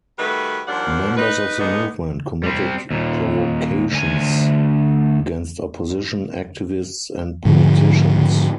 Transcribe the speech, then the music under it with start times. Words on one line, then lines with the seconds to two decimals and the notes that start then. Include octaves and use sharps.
Members of the movement committed provocations against opposition activists and politicians.
0.18 D#3 G3 A3 F#4 B4
0.67 D#2 F3 G3 D4 A#4 F#5
1.16 D#4 B4
1.58 G#3 A3 B3 D4 D#4
2.44 G3 C4
2.90 D#2 A#2
3.92 D2 G#5
7.45 G#2 D3 F3